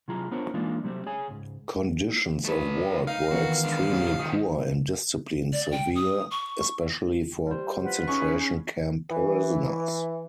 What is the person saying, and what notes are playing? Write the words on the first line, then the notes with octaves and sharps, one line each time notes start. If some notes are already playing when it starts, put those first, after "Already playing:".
Conditions of work were extremely poor, and discipline severe, especially for concentration camp prisoners.
C3 F#3 E4 F4 G#4 A#5
B3 D4 F4 A#4 C5 C#5
E3 G#3 A#3 D4 D#4 F4
C3 F#3 G3 A3 C4
G#4 C#5 G#5
C#2 G#2
A3 B4
D#4 F5
D#3 E3 B3 F#4
G#3 D4
G#2 B2 G4 C#5
D#3 F3 D#6
D5
G5
D#6
C#6
G3 C5
F4 B4 F#5
C#4 D#4 G#4 B5 C#6
E3